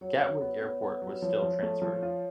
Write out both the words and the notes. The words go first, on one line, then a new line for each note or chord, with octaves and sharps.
Gatwick Airport was still transferred.
F#3 C#5
F#4
B3
B3
B3
F#3
F3 C#5
F3
A3
F3
F4